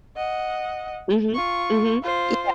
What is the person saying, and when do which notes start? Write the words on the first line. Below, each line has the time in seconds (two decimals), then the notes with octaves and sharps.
Mhm, mhm. Yeah.
0.16 D#5 F#5
1.33 F4 C#6
2.02 F4 C5